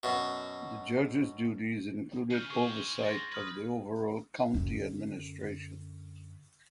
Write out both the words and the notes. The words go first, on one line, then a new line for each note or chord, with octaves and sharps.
The judge’s duties included oversight of overall county administration.
F#2 B2
C#3 F6 G6 D#7
G#4 C5 C#6
C6 A6 A#6
B4 D#6 F6 G#6
F#2 D3